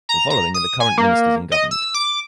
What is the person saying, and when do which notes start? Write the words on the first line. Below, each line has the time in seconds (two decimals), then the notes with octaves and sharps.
The following are the current ministers in government.
0.09 A#5
0.30 A#5
0.54 D#6
0.80 G#5
0.98 A#3
1.52 D#5
1.71 E6
1.94 D6